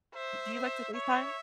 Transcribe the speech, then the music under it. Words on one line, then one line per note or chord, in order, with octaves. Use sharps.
Do you like to FaceTime?
C5 E5
E5
C#5 E5